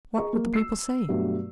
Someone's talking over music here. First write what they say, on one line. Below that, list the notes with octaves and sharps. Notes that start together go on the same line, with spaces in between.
What would the people say?
G#4 D#5 A#5 C#6
A#3
E6 C7
G2 B2 F#3 A3